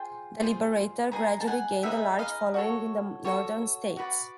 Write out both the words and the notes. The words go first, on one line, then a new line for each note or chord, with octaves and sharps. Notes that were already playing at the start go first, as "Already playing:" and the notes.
"The Liberator" gradually gained a large following in the northern states.
Already playing: F4 G#4 C5 G5
F4 G#4 C5
D#4 G#4 B4 D#5 G#5 A#5
A5
F#5 G#5
D#4 G#4 B4 D#5 E5 F#5
D#5 F5
F#4 A4 C#5
F#4 A4 C#5
F#4 B4 D5